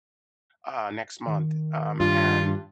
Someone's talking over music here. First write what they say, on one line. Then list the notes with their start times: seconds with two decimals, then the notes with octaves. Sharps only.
uh, next month, um, and
1.27 D#3
2.00 G2 F4